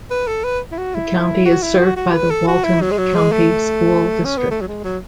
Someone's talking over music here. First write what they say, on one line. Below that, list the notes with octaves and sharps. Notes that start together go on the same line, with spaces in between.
The county is served by the Walton County School District.
B4
A4
B4
E4
F#4
E4
F#4
E4
F#4
F#4
B4
A4
F#4
E4
F#3
G#3
F#3
G#3
A3
C#4
B3
A3
F#3
G#3
F#3